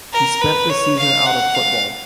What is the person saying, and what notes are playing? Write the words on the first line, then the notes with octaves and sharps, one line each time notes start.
He spent the season out of football.
A#4
B4
C#5
F5
F#5
F5